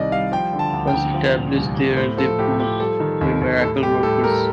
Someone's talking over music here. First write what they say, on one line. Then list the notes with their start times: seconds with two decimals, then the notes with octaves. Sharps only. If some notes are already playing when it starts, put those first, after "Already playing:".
Once established there, they proved to be miracle workers.
Already playing: C2 C3 D#3 D5 D#5
0.12 G3 F5
0.32 F3 G5
0.53 D3
0.59 A5
0.73 D2
0.87 G5
0.94 D2
1.14 F3
1.36 A#2
1.56 C2
1.77 C2
1.97 A2 C5
2.17 F3 A4
2.38 A2 G4
2.59 F3 G4
2.80 G3 A4
3.00 D#3
3.21 D#2
3.41 D#2
3.62 A2 A4
3.83 G3 G4
4.03 A2 A4
4.24 G3 A#4